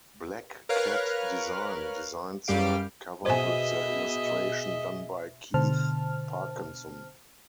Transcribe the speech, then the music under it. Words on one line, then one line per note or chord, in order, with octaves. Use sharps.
Black Kat Design designed the cover with the illustration done by Keith Parkinson.
A#4 B4 C#5 F5 F6 F#6
F#2 G3 G4 F5 D7
B2 G#4 C5 D#5 E5 G#5
B2 D3 C5 A5 F6